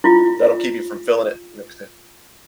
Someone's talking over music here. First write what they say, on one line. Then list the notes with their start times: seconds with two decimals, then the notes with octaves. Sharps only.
That'll keep you from filling it. Mixed in.
0.04 E4 F4